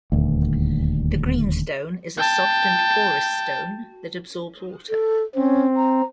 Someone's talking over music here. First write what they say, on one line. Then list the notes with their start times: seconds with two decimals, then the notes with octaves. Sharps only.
The greenstone is a soft and porous stone that absorbs water.
0.12 D#1 D2
2.18 G5 A5
4.89 A4
5.35 C4 C#4
5.76 A#5